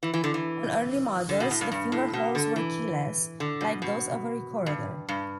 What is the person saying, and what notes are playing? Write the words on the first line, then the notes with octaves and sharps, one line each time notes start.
On early models, the fingerholes were keyless, like those of a recorder.
E3
E3
D3
E3
D3
B2
A2
G2
G2
A2
B2
D3
E3
D3
B2
B2
G2
G2